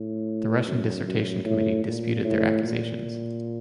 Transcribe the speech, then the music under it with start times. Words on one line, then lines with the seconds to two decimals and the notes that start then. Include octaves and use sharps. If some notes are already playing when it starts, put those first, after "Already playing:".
The Russian dissertation committee disputed their accusations.
Already playing: A2
0.67 F#2
1.06 F#2
1.45 A2
1.85 A#2
2.24 A2
2.64 A#2